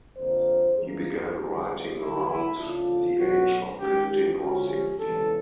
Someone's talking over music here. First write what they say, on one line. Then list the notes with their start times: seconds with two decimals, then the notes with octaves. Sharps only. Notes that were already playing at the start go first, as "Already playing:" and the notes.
He began writing around the age of fifteen or sixteen.
0.17 F2 D3 F3 A#3 C5
0.77 G#2 E3 G3 A#3 G#4
1.38 F2 D3 G3 B3
1.98 G2 D3 F#3 A3 E4
2.28 E4
2.58 C#3 F3 A3 D4 F4
3.19 B2 F#3 A3 F#4
3.79 D#3 G#3 C#4 G4
4.09 G4
4.39 D3 F3 G#3 C#4 F#4
4.69 G4
4.99 E2 C#3 E3 G#3 A4